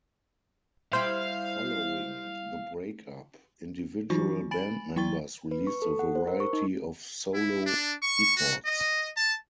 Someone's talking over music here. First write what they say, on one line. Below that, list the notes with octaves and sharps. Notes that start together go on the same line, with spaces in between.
Following the breakup, individual band members released a variety of solo efforts.
G3 E4 G4 C5 F5
E3 F#3 D#4 F4 F#4 C#6
G#5 B5 A6 D7 F#7
F#3 E4 G5 C#6 A6 G7
B4
C#6
A4
F#5
C5
A#4
C#6
D#4
E4
D4
C#6
F#4
D#5
A5